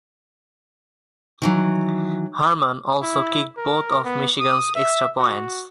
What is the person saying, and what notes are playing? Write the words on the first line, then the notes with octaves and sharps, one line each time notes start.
Harmon also kicked both of Michigan's extra points.
D#3 E3 F#3
E4
A#4
B3
D#6
E5
F#4